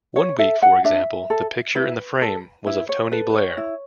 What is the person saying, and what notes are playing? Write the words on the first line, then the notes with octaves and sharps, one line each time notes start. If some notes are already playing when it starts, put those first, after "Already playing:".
One week, for example, the picture in the frame was of Tony Blair.
C#5
A4 E5
F#5
D4 E5
A4
E4 B4
A4
E4 B4
C#5
A4 B4
B4
C#5
E4